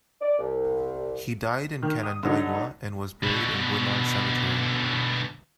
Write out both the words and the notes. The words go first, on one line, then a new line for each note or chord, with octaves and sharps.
He died in Canandaigua and was buried at Woodlawn Cemetery.
D5
C2
D#3
D#6
D3 F#3 D#4
B2 D3